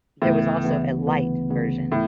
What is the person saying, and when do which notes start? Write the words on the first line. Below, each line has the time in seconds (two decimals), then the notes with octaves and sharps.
There was also a "light" version.
0.22 D2 A2 C#3 E3 B3
0.64 D2 C#3 E3 B3
1.07 D2 C#3 E3 B3
1.48 D2 C#3 E3 B3
1.92 A2